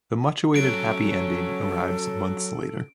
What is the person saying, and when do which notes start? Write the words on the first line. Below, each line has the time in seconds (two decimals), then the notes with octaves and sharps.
The much awaited happy ending arrives months later.
0.56 F#3 C#4 A4 D7